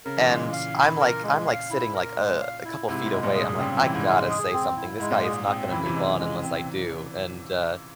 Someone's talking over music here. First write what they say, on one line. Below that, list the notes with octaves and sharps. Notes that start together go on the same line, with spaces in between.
And I'm like I'm like, sitting, like, uh, a couple feet away. I'm like, "I gotta say something. This guy is not gonna move on unless I do." And, uh,
C#3 A#4
E3
A#2 C#3 G#3
F5
E4
A#4
G#3
F5
E4
A#4
G#3
F5
E4
G#2 C3 E4
G#2 C3
G#3
G2 A#2
G#4
G2 A#2
A#2 C#3 C4
C3 E3
E4
G#2
G#3
G#4
C4
E4
G#2 G#3
A#2
G#2 G#4
C4
E3 E4
C#3
C3 E3
G#3
G#3
C4